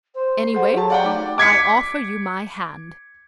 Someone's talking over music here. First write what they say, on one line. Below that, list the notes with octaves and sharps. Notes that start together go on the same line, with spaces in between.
Anyway, I offer you my hand.
C5
C6
G#4 A4 C5 F#5
F#3 G4 A5
D5 F#5 G5
A3 D#4 D6
D6 G#6 B6 C#7